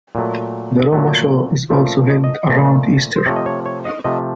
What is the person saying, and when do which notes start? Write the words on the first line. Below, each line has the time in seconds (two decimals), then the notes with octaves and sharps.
The Roma Show is also held around Easter.
0.15 A#2 F#3 A3
0.93 A#2 F#3 A3
1.70 A#2 F3 A3
2.10 D#5
2.24 D#5
2.49 A#2 F3 A3
3.16 C5
3.26 C3 F3 A3 C#5
3.36 D#5
3.46 C#5
3.66 C#5
3.85 D#5
4.04 C3 F3 A3 D#5